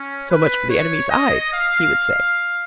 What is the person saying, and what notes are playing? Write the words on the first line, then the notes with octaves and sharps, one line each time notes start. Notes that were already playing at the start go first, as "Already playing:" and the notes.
So much for the enemy's eyes, he would say.
Already playing: C#4
B4
C#5
D#5
F5